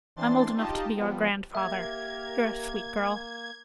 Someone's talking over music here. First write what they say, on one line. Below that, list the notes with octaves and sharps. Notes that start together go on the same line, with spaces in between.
I'm old enough to be your grandfather. You're a sweet girl.
E3 C4 D4 C6 A6
D#4 F4 G4 D#5 A5
F3 G3 B3
A#3 G4 A#4 E5 G#6